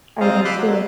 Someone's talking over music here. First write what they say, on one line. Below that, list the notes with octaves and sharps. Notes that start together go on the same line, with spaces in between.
I don't care.
C4 F4 C5 D#5 F5 A#5
B5 C6 D6 E6 F#6
F#3